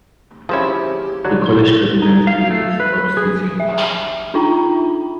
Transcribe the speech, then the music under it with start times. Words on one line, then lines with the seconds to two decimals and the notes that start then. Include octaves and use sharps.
The college's president is Bob Staton.
0.49 F3 G#3 C4 C#4 E4 G4
1.25 D3 F#3 F#4
2.02 D#4
2.27 F5
2.51 A3
2.80 B4
3.17 G#4
3.60 E5
4.34 D4 D#4 F4 G5 A#5 B5